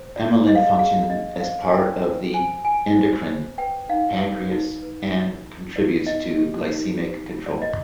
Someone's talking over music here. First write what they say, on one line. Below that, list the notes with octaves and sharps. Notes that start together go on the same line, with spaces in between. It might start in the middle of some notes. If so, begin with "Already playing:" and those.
Amylin functions as part of the endocrine pancreas and contributes to glycemic control.
Already playing: C5
F4 D5
G#4 D#5
F5
D#5
G#4 F5
D4 D#5
C5 F5
G#5
G4 G5
C5
C5 G#5
F4 G#5
C5
C5
B4 G5
D#4 F5
B4
D#4
B4
F4
F4
B4 D5
D#4 D#5
G4
D#4
G4
F4
D5
F4 D#5